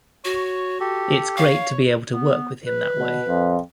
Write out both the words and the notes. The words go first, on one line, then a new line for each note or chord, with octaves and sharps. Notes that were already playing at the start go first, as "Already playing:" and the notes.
It's great to be able to work with him that way.
F#4 C#5
G4 A4
C#5 F5
B3
B4
B2
F2